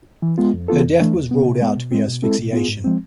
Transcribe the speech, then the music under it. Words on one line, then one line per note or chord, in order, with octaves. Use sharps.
Her death was ruled to be from asphyxiation.
E3
G#3 B3 F4
F2
E3 B3 F4 A4
F2
E3 A3 D4
E2
B2 B3
C3
G#3 B3
B2
G#3 C4
B2
G#3 C4 E4 A4
B2
B3 F4 G#4
G#2
F3 G#3 C4